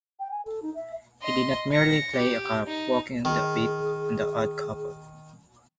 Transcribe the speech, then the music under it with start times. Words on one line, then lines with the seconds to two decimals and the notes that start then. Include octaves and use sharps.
He did not merely play a cop walking the beat on 'The Odd Couple'.
0.19 G5
0.31 G#5
0.46 A4
0.63 D#4
0.75 E5
1.22 D#5 C6
1.72 A#6 C#7
2.16 G4
2.67 D#4
3.25 D#3 G#4